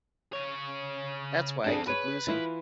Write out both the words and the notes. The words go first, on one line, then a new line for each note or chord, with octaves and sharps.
That's why I keep losing.
C#3 C#5
D2 C4 D4 G#4 A4
G#4 B4 C#5
E3 E4 F4